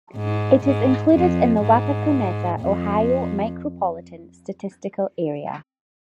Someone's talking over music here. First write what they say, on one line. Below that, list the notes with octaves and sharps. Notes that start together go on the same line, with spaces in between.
It is included in the Wapakoneta, Ohio Micropolitan Statistical Area.
G#2
G#2
F2
G#2
F2